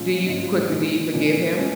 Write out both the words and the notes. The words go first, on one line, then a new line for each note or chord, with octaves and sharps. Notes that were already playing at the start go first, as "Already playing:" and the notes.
Do you- quickly- do you forgive him?
Already playing: A#2 G#3 C#4 F4
G#2 D#3 C#4 F4
A#2 G#3 D#4
A#2 F3 G#3 C#4
G#3 C#4